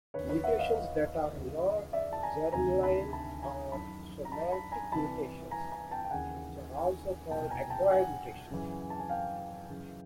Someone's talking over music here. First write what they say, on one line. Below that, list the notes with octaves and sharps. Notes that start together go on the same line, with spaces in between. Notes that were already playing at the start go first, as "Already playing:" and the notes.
Mutations that are not "germline" are somatic mutations, which are also called "acquired mutations".
D#2 D3 B4 C#5
B4 C#5
E5 F#5
D#5 F5
C#2 C#3 E3
D5 E5
A5
G#5 A#5
D2 C3 D#3 G#5 A#5
A5 B5
A5 B5
G#5 A#5
F#2 D#3 A5 B5
A#5
A5 B5
A5 B5
G#5 A#5
C2 C3 E3 A5 B5
G#5 A#5
G#5 A#5
G5 A5
G5
D#2 C#3 E3 F#5 G#5
C2 B2 G5 A5
G#5 A#5
G5 A5
F#5 G#5
F#2 C#3 E3
A5
G#5
F5 G5
F#2 C#3 E3